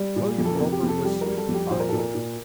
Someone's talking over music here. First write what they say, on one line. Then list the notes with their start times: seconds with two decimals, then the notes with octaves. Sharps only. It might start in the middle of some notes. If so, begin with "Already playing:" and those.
William Roper was stupefied.
Already playing: G3 D5
0.16 A#2
0.38 F2
0.45 A4
0.55 C3 A#4
0.72 G4
0.83 F2
0.88 A4
1.05 G3 G4
1.21 G3 A#4
1.37 A4
1.49 F2
1.54 G4
1.71 A#2 C5
1.80 A#4
1.89 A#2 A4
1.98 A#4
2.15 A#2